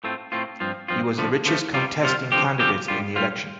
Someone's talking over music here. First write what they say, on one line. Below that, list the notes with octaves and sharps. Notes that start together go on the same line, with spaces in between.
He was the richest contesting candidate in the election.
A2 A3 C4 F4
A2 A3 C4 F4
G2 F3 C4 F4
G2 F3 C4 F4
D3 F3 A3
D3 F3 A3
C3 G3 F4
C3 G3 F4
D3 F3 C4 G4
D3 F3 C4 G4
G2 G3 F4
G2 G3 F4